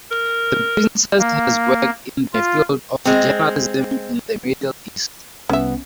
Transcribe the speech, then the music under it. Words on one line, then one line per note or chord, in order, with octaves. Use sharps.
The Princess has worked in the field of journalism in the Middle East.
A#4
A#3
F4
G#3 C4
C2 B3 C#4 E5